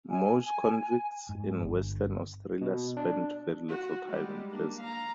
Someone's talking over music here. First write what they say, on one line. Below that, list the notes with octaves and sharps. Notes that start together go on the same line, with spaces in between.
Most convicts in Western Australia spent very little time in prison.
G#5
G#2
G1
B2
D4
F#4
G3 G#3
A#3 D4
F5 A#5